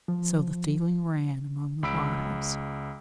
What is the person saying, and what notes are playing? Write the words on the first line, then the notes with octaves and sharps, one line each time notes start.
So the feeling ran among the wives.
F3
C#2 B5 E6 B6 D7